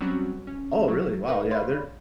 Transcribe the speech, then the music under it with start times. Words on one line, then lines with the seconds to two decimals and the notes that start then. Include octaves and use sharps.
Oh really? Wow, yeah, they're
0.01 F#3 G3 C4 C#4 F#4
0.47 C#4
0.88 F#3
1.28 D#4 A#4 B4
1.51 C#5 D5 F5 B5 C6